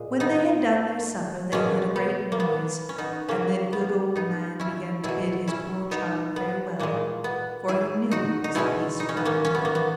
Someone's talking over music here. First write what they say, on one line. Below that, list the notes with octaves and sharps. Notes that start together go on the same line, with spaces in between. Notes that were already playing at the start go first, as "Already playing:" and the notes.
When they had done their supper, they heard a great noise, and the good old man began to bid his poor child farewell, for he knew it was the beast coming to them.
Already playing: A#2 G#3
B3 D#4
B2 G#3 A#3 C#4
B3
A#3
B3
C#4
B3 D#4
C#3 F#3 A#3 C#4
B3
B3 D#4
C#4 E4
B2 F#3 E4 G#4
C#4 E4
B3 D#4
B3
A#2 G#3 A#3
B3
E4 G#4
D#4 F#4
D#4
B2 G#3 C#4 E4
D#4
C#4
B3
A#3 C#4
C#4
B3
A#3
B3